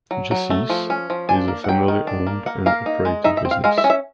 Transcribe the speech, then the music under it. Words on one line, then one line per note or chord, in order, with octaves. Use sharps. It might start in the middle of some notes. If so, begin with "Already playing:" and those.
Jussies is a family owned and operated business.
F#3
F#3
A3
F3
C#4
F3
D4 G#5
A#3
F#5
F#3 G5
D#3
D4
A#3
A#3 F#5
A#3 F5
D#4
G#3
D#4 E5
E5
C4
F5
G#3 F5
E5
C#4
E5